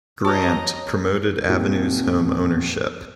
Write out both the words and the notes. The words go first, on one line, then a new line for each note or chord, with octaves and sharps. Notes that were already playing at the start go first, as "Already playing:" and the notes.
Grant, promoted Avenues home ownership.
F#4 C#5 D#5 G5 A5 A#5
D#1 D#3 C4 G4